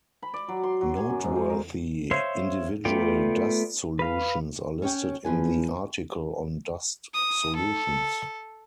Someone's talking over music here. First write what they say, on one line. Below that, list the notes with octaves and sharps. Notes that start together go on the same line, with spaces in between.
Noteworthy individual dust solutions are listed in the article on dust solutions.
B5
D5
F#3
C6
F#3
G#5
F#2
G#2
C5
A#4
C5 C#5 E5 F5 C6
A3 B3 F4 D5 G5
B4 F5
C#4 C#5 G5
E2 F3 B4 G#5
D#6
A4